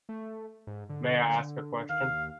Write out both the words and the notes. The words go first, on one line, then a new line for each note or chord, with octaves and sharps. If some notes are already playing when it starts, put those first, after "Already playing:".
May I ask a question?
A3
G#2
D3
D#2 F5